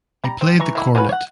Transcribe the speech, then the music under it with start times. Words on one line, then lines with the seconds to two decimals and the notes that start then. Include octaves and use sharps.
He played the cornet.
0.24 G3 A#5
0.41 C4
0.59 E3 A#5 C#6
0.75 D#3 A#3 E4
0.95 F#3 C#4 F4 B4
1.09 C#5 F#5